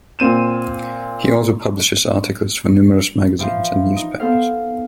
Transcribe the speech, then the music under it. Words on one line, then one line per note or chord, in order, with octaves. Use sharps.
He also published articles for numerous magazines and newspapers.
A#2 C4 D#7 E7
E3 F3 F5
D#4
B3 A4 C5 F5